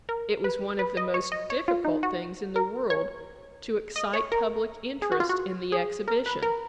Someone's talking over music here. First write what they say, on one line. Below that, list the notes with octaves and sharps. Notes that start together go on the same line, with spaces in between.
It was one of the most difficult things in the world to excite public interest in the exhibition.
A#4
B4
B4
D#5
C#5
D#5
C#5
F4
D#4
F#4
A#4
C#5
D#5
C#5
A#4
G#4
F#4
F4
F#4
G#4
A#4
B4
A#4